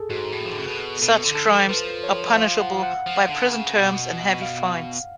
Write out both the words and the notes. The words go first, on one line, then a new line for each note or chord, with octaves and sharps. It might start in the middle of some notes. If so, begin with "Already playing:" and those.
Such crimes are punishable by prison terms and heavy fines.
Already playing: G#4 A4
G#2 F#4
A2
F3
D3
C#3
B2
B2 A4
D3
A4
F3
F3 B4
C#5
F5
F#5
F#5
F3
D3
C#3
B2
F5